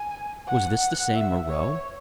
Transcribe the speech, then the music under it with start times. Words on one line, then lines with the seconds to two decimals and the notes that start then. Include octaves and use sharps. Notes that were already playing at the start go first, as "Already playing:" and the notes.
Was this the same Moreau?
Already playing: G#5
0.47 F#5
0.80 F#5
1.15 E5
1.49 C#5